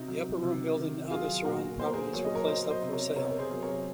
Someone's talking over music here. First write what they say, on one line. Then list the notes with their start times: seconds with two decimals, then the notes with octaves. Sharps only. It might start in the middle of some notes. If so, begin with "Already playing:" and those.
The Upper Room building and other surrounding properties were placed up for sale.
Already playing: C3 D#4 F#4
0.08 F#3
0.43 C3
0.77 D#3
1.10 F#3 F4 G#4
1.45 A#2 F#4 A#4
1.79 A#2 C5
1.86 A#4
1.93 G#4 C5
2.13 F#3 C#5
2.25 D#5
2.35 A#4 C#5
2.48 F#3 C5 D#5
2.71 C5 D#5
2.83 C3
2.93 A#4 C#5
3.16 C3 A#4 C#5
3.30 A#4
3.39 G#4 C5
3.50 F#3
3.63 A#4 C#5